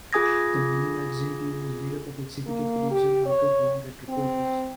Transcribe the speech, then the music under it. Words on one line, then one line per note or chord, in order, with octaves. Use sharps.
The "Money Magazine" team is made up of executive producer Michael Wong and reporters.
F4 G#4 G#5 D#6 G#6 A#6
A#3
G4
C#5
C4